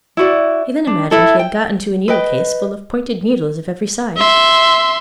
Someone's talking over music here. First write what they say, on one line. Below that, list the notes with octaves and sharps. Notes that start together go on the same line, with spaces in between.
He then imagined he had got into a needle-case full of pointed needles of every size.
E4 F#4 D5
D4
E4 A4
G5
B4 D#5 G5
E5 C6